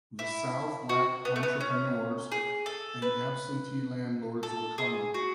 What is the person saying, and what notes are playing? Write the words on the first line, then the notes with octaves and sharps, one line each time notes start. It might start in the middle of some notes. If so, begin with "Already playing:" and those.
The south lacked entrepreneurs, and absentee landlords were common.
E4
F#4
B3
A3
B3
C#4
G#4
A4
B4
A4
G#4
F#4